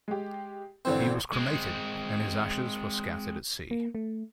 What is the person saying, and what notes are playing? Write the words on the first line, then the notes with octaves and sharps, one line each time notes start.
He was cremated and his ashes were scattered at sea.
G#3 G4
G#1 D3 E3 C4 C5
G#3 C4
A#3
A3